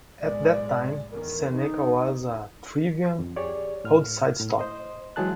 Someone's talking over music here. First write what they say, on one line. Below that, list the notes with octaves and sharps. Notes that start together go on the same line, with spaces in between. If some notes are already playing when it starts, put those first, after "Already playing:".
At that time Seneca was a thriving roadside stop.
B1 A2 G#3 D5
E2 D#3 A#4
D#4
F2
G4 G#4 C#5 D5
A2 F6
A2
C5 D#5
E3 F#3 G#3 G#4 A5 F#6